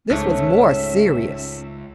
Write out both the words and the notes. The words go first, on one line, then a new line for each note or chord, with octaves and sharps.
This was more serious.
C#2 G#2 A3 C#4 C#5 E5